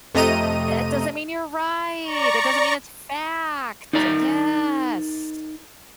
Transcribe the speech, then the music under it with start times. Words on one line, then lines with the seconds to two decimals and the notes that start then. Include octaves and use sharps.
It doesn't mean you're right, it doesn't mean it's fact, yes!
0.15 F2 C3 A3 D#5 A#5 D#7
2.04 D5 A#5 C#6
3.93 D#4 A#4 D5 A#5